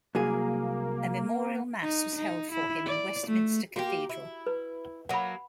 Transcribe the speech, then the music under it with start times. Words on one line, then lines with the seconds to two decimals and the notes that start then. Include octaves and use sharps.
A memorial mass was held for him in Westminster Cathedral.
0.15 C2 F#3 A#3 G#4
1.82 D#4
2.15 D#4
2.52 E4
2.86 D5
3.27 A3
3.76 A#3 F#4 G4
4.09 E4
4.47 B4
5.09 F#3 A#3 F#5 B5